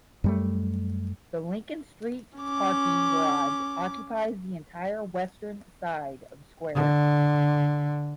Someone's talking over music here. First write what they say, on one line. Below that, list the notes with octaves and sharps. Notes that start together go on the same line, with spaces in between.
The Lincoln Street Parking Garage occupies the entire western side of the square.
F#2 G3 A3
C#4 D6
D3